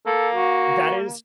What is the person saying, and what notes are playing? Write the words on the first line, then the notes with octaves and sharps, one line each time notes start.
that is
A#3 A4
F#4